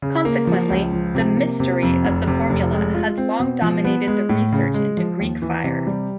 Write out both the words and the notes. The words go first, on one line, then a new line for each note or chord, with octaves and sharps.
Consequently, the "mystery" of the formula has long dominated the research into Greek fire.
C#3
A#3
F3
C#2
F3
C3
A#3
C3
F2
F1
C3
F1
G#3
F4
C4
B2
F3
B3
G#3
A2
C#3
G#3
F3
D#2
E3
C3
G3